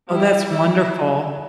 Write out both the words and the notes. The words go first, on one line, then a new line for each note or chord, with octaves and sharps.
Oh, that's wonderful.
G3 E4
E4